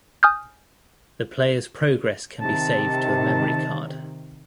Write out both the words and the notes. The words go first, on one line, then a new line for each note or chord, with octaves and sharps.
The player's progress can be saved to a memory card.
G#5 D#6 F6 G6
C3 D#3 A5